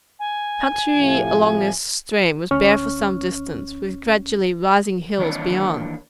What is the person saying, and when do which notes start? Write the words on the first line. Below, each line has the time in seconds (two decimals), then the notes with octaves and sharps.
The country along this stream was bare for some distance, with gradually rising hills beyond.
0.19 G#5
0.94 A2 C3 F3
2.51 D2 C#4 C#6 F6
5.18 D#3 E3 A#3 D4 C#5 D5